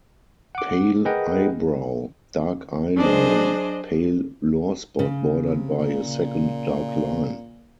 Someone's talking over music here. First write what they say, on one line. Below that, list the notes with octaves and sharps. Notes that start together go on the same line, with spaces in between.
Pale eyebrow, dark eye line, pale lore spot bordered by a second dark line.
F#5 D6
G#4 A#4 B4 D#5 F#5 G5
F#3 D4 G#4 C5 D#5
C#3
C3
A#2